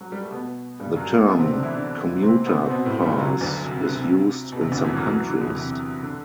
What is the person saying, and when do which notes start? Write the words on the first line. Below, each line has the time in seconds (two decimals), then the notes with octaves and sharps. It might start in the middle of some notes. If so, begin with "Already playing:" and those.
The term "commuter pass" is used in some countries.
0.01 F#3
0.12 G3
0.22 A3
0.32 B2 B3
0.80 G2 G3
0.96 F#2 F#3
1.11 A2 A3
1.27 B2 B3
1.39 C3 C4
1.51 D3 D4
1.63 E3 E4
1.75 D3 D4
2.22 C3 C4
2.46 B2 B3
2.66 C4
2.70 B2 B3
2.85 A2 A3
3.02 G2 G3
3.17 F#2 F#3
3.41 D2 D3
3.65 C3
3.79 D3
3.89 C3
4.52 B2
4.61 C3
4.71 D2 D3
4.84 E2 E3
4.96 F#2 F#3
5.07 F#3
5.18 E3
5.29 D3
5.40 E2 E3
5.55 C3
6.03 D3